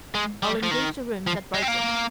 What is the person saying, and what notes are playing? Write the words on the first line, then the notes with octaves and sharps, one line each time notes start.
I'll engage the rooms at Brighton.
G#3
G3
F3
D#3
F3
G#3
C4
A#3